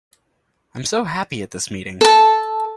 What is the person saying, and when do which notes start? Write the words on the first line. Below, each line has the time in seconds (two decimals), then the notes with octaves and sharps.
I'm so happy at this meeting!
2.01 A4 A5